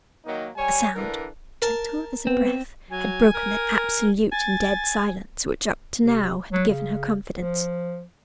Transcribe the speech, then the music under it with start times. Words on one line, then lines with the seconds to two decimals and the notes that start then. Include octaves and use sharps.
A sound--gentle as a breath--had broken that absolute and dead silence which up to now had given her confidence.
0.26 D#3 F#3 A#3 D#4
0.57 G3 C#5 G#5
0.95 D3 E3 D4 A#4
1.62 A#4 A5
2.27 B3 C4
2.90 F#3 G#5
3.35 A#4
4.32 G#5 A6
6.00 C3
6.52 F#3
6.68 C#3
7.38 F3